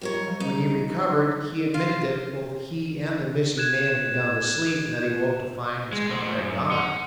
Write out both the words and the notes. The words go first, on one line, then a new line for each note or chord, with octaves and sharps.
When he recovered, he admitted that both he and the missing man had gone to sleep and that he awoke to find his comrade gone.
F2 F#3 G3 G4 A#4 C#5
F3 G3 C5
G3 C#4 D#4
F4 F5
F#6 G#6 E7
G#3
A3 C5
F#2
F#5 C6